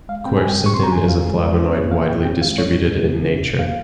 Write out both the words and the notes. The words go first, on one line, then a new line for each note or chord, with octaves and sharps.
Quercetin is a flavonoid widely distributed in nature.
G#3 F5
C4 G5
G3 G#5
G5
C3
C#6
C4 C6
A#5
C#4 G#5
D#3 F5
G#3 G#4
G#3 A#4
C#4 C5
A#3 C#5
A#2 F5
A#2 G5
C4 G5
G#3 F5
C#4 C#5
A#2
G#3
C#3
C#4
C3
A#3 F5